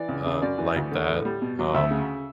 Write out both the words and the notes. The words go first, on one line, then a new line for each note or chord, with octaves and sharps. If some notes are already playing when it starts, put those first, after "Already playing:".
uh, like that. Um,
Already playing: E3 D5
C#2
C#3
F#2 D5
E3
D2
D3
A2
G3
B2
F#3
D2 E5
C#3